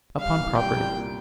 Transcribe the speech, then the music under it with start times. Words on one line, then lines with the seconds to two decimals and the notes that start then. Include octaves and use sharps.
Upon property.
0.20 G3 F5
0.39 C2
0.57 G3 G5
0.76 C2
0.95 A#2